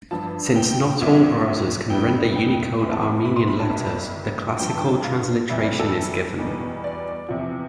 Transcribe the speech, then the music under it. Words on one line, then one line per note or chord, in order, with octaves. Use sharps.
"Since not all browsers can render Unicode Armenian letters, the classical transliteration" is given.
G2 F3 A5
G5
C2 C3 F3
F2 E3 G3 G5
G5
E2 C3 E3 B5
A5
B5
B5
C6
B5
A5
C2 B2 G3
G2 F3 G5
A5
G5
F5
E2 C3 G3 E5
D5
A4
E2 B2 G3
D5
E2 C3 F3